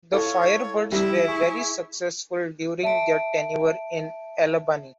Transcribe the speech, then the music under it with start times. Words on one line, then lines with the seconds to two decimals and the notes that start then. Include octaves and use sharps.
The Firebirds were very successful during their tenure in Albany.
0.13 E4 F4 A4 C#5
0.92 G3 E4 G4 E5
1.28 G#4 C#6
2.83 E5 A5 D7